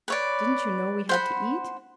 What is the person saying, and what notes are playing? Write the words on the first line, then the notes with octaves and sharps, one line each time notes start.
Didn't you know we had to eat?
B4 C#5 D5
C5 F#5 B5